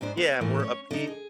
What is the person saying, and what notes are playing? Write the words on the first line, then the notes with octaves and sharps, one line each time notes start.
Yeah, more upbeat.
G#2 B3 D4 C5
B3
A2 E3 A3 A#3
C#4 C#5
D3 D#4
G#4